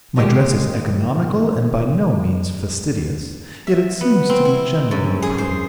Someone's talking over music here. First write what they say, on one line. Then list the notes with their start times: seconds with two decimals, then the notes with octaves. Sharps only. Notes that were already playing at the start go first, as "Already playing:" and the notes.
My dress is economical and by no means fastidious; yet it seems to be generally approved.
0.16 A#2 D#3 G3 G#3 A#3 G4
3.67 E5
4.01 B3
4.29 C4
4.45 E4
4.91 F#2
5.22 G#4
5.38 C5